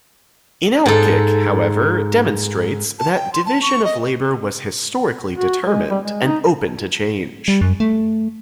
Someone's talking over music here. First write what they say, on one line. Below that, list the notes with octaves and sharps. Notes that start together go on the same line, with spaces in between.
Inalcik however demonstrates that division of labour was historically determined and open to change.
G#2 A4
A5
G5
C6
A5
C#6
D#5
F#4
G#3
G3
G#3
D#4
G3
F#2
A3